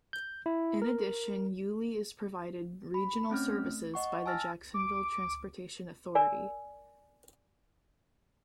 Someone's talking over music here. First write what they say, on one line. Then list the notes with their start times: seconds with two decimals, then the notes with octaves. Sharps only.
In addition Yulee is provided regional services by the Jacksonville Transportation Authority.
0.13 G6
0.46 E4
0.82 A#4
2.94 B5
3.30 A3 C4 C#4 F6
3.50 A3
3.94 D#5 F#5 C#6
4.26 G#5 A5 E6 F6 A6 A#6
4.74 D6
6.15 A#4 D5 G#5